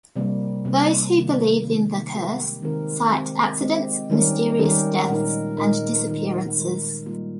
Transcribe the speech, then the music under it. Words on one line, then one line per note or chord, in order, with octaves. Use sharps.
Those who believe in the curse cite accidents, mysterious deaths, and disappearances.
C3 G3 A#3
C3 G3 A#3
C3 D#3 A#3
C3 D#3 A#3
D#3 G#3 C4 G4 A#4
D#3 G#3 C4 G4 A#4
G#3 C4 G4
G#3 C4 G4
D#3 G3 C#4 G4 A#4
D#3 G3 C#4 G4 A#4
A#2 G#3 D#4 A#4
A#2 G#3 D#4 A#4
D#3 G#3 D#4 A#4
D#3 G#3 D#4 A#4
G3 A#3 F4